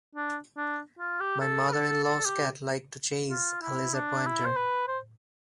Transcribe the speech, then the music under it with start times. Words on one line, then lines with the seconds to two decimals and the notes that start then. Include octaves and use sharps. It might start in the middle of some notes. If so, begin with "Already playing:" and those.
My mother-in-law's cat like to chase a laser pointer.
0.15 D4
0.57 D4
0.99 F4
1.20 G4
1.41 A4
1.69 B4
1.73 A4
2.04 A4
2.25 G4
3.30 F4
3.62 E4
3.94 D4
4.26 E4
4.45 C5
4.56 B4
4.88 C5